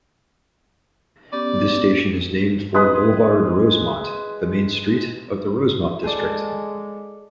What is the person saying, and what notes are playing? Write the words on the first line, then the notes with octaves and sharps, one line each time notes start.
This station is named for boulevard Rosemont, the main street of the Rosemont district.
B3 C#4 G4 D5
G#3 G#4 B4 D#6
G#3 G#4 A4 D5